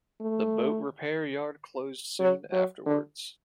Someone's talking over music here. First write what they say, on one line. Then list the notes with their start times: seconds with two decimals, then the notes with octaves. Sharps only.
The boat repair yard closed soon afterwards.
0.20 A3
2.20 F#3
2.52 F#3
2.86 D3